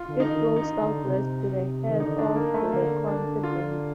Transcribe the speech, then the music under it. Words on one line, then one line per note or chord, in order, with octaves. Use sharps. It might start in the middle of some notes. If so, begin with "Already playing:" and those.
It flows southwest to the head of LeConte Bay.
Already playing: F4
D3
D#4
D#3
D#4
D3
C3
D#3
D3 D#4
D4
D3
A#3
A3
D3 A#3
D4
F4